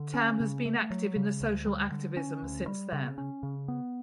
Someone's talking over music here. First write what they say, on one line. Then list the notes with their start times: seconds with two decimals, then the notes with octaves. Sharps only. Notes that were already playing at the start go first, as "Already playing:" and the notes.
Tam has been active in the social activism since then.
Already playing: D3
0.14 C#4
0.40 C#3
0.65 A3
0.91 F#3
1.16 C#3
1.41 D2
1.66 G3
1.91 D3
2.17 C#4
2.43 D2
2.68 G3
2.93 C#3
3.18 C#4
3.43 C#3
3.68 B3